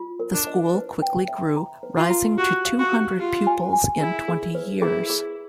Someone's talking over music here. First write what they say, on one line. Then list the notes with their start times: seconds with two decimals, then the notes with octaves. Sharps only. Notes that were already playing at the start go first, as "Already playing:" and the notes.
The school quickly grew, rising to two hundred pupils in twenty years.
Already playing: F4
0.20 A#4
0.33 D4
0.47 D#5
0.75 B4
1.02 G5
1.28 E5
1.57 A#5
1.83 B4
1.96 F4
2.10 A#5
2.37 F#4 G4
2.65 F5
2.79 F#4
2.92 G4
3.19 F4 G4
3.47 G#5
3.73 G#5
4.00 E4 G#4
4.28 G#4
4.55 B4
4.82 E4 G#4
5.10 G#4